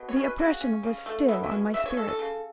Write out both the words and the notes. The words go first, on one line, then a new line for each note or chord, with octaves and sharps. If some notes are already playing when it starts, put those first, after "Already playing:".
The oppression was still on my spirits.
Already playing: B2
C#5
C#4
B4
C#3 F#4
C#4
C#3
A3
B2 E4
E4
C#4
C#3 E5
C#5
C#4 A4
A4
C#3